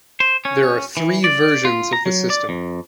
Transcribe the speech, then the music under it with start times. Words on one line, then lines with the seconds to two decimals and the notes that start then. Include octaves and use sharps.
There are three versions of the system.
0.20 C5
0.45 C#4
0.97 E3
1.24 D5
1.65 F4
1.93 A#5
2.06 F#3
2.30 D5
2.49 F2